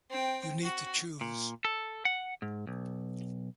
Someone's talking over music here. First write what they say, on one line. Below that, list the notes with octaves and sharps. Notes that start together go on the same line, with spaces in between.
You need to choose.
C4 G5
F#4
A#2
A4
F#5
G#2
B1